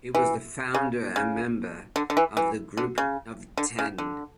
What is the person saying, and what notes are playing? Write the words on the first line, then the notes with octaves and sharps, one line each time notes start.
He was the founder and member of "The group of ten".
E3
C#3
C#3
D3
D3
E3
E3
D3
C#3
D3
C#3
D3